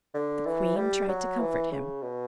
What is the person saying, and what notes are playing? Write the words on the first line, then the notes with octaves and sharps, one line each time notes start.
The queen tried to comfort him.
D3
E3
G3
F#3
E3
C#3
B2